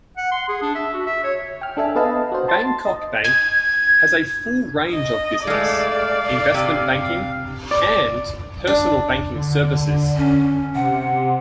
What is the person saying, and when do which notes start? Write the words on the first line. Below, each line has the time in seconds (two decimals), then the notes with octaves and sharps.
Bangkok Bank has a full range of business, investment banking and personal banking services.
0.17 F#5
0.31 C6
0.49 G#4
0.62 D4
0.75 E5
0.93 F#4
1.06 E5
1.24 C#5
1.61 G5 F6
1.77 D4 A4 E5 G#5
1.95 B3 A4 B4 D#5 F5 A5
2.32 F#4 C5
2.48 A5 C6 A6
2.85 D#5
3.24 G#6
4.92 D#5
5.47 G#3 A3 D5 F5
6.54 C3
7.71 D5
8.67 D4
9.35 D3
10.16 C#4
10.75 C3 F#5